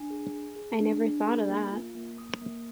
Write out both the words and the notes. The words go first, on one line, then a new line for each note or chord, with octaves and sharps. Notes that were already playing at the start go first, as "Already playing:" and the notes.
I never thought o’ that.
Already playing: D4 G#5
G#4
G#4
G#4
D4
D4
G#4
A#3
F4
A#3
A#3 D#6
A#3